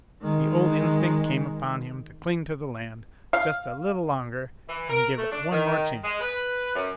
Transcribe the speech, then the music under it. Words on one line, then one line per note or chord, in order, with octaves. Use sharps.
The old instinct came upon him to cling to the land just a little longer and give it one more chance.
D#3 G#3
F5
E3
A#4
A3
D4
D#3
G#3
B4
F#2